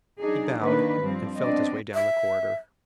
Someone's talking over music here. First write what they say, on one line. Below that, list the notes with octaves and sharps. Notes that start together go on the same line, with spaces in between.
He bowed and felt his way down the corridor.
F#3 D4 D#4 G#4
D#3 A#3 D4 B4
G2 F3 C4
B3 C4 D4 D5 D#5
E5